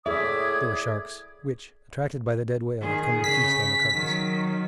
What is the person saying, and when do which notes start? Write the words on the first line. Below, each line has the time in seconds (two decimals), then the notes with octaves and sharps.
They were sharks, which, attracted by the dead whale, had come to feast on the carcass.
0.06 A2 G#4 D5 E5 D#6 G#6
2.81 D#3 G#4
3.24 C#3 B6
3.93 D#3 F#3